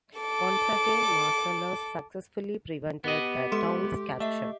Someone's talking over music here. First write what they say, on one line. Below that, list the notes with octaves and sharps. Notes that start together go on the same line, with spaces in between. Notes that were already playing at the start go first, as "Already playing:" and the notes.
Once again, Marcellus successfully prevented the town's capture.
A4 D6
B3 G4 D#5
G#3 A4 C6
A3 D#5 E5